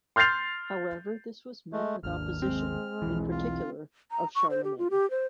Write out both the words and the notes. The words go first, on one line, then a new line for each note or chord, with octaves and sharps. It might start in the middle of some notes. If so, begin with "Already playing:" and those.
However this was met with opposition, in particular of Charlemagne.
C6 F6 G6 A6 C7 F7
G#3 A3
G#1 D#2 D4 F6
G#3 C4
B1 E2 E3
F4
A#5
C#6
C5
G4
F4
G4
C5